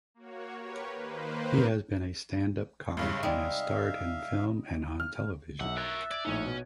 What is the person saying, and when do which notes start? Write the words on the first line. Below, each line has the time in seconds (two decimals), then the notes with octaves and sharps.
He has been a stand-up comic and has starred in film and on television.
0.14 A#3 F#4 C#5
0.59 G4 A#4 B4 C#5
0.94 D#3 A#3 B4 C5
2.97 G#1 G2 C#3 E5 F5
3.23 C3 G3 G#3 D#4
5.00 F6
5.60 B1 E5 F#5
5.77 A#4 C#5 F#6 A6
6.11 D5 G#6 D7
6.25 A#1 A2 C#4 D#4
6.46 B2